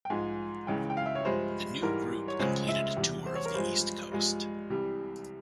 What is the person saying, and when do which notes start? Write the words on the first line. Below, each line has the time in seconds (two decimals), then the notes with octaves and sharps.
The new group completed a tour of the East Coast.
0.05 G5
0.10 G#2 F3 G#3 G#5
0.67 C#2 C#3 E3 G#3 G5
0.90 G5
0.97 F5
1.06 E5
1.15 C#5
1.25 G2 F3 G#3 C5
1.82 G#2 E3 G3 A#4
2.28 C#5
2.39 C#2 C#3 F3 G#3 C5
2.68 E5
2.97 E2 C3 G3
3.26 C5
3.35 C#5
3.45 A#4
3.54 G2 F3 G#3 C5
4.12 G2 F3 G#3
4.70 C2 C3 E3 G3